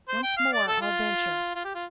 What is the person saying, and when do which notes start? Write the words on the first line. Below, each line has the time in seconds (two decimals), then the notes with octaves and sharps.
Once more I'll venture.
0.08 C5
0.23 G5
0.37 F5
0.53 D5
0.68 A4
0.81 F4
1.55 F4
1.64 G4
1.74 F4